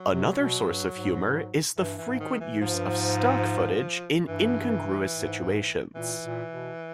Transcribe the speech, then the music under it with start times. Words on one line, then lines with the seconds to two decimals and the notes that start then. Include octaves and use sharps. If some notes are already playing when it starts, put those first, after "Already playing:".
Another source of humour is the frequent use of stock footage in incongruous situations.
Already playing: F#3
0.10 C3
0.38 B2
0.65 G2
0.94 G#2
1.77 G2 E3
1.98 E3
2.05 G#2
2.20 D#3
2.40 E3
2.60 G#2 F3
2.74 G2
2.86 G#2
4.28 G2 E3
5.12 G#2
5.95 A#2 E3
6.24 A#2
6.51 B2